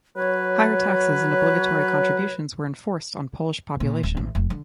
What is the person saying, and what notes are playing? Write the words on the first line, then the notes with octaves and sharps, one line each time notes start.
Higher taxes and obligatory contributions were enforced on Polish population.
F#3 B4 C#5
A#2
D1
A1
F1
D3